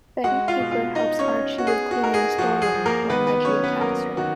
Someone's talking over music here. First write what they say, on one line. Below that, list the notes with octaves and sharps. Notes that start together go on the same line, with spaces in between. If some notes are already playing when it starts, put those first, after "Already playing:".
Betty Cooper helps Archie with cleaning a store room, when Reggie attacks her.
G#3 F#4 F#5
F4 F5
B2
F4 F5
D#4 D#5
C#4 C#5
D#4
F#4
B3 G#4
F#4
D#4 A#4
G#4
F3 F#4
G#4
F3
A#3 A#4
D#3 B3 B4
B3 B4
F#3 C#4 C#5
B3 B4
F#3 A#3 A#4
D#3 F#4